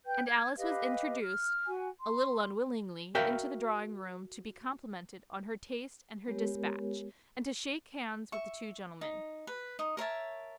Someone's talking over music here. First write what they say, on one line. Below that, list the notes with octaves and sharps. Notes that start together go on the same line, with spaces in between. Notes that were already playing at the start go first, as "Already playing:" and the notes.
And Alice was introduced a little unwillingly into the drawing room to be complimented on her taste and her despatch, and to shake hands with the two gentlemen.
B4 G5 G6
G#6
G4 B4 D#5 F5
F6
F#4 G#5
C6
F#4 A#4 E5 F5 G5
G#3 B3 G4 A#4 C#5
E5 C#6
D#4
B4
D#4 D#6
A#4 C#5 E5 A5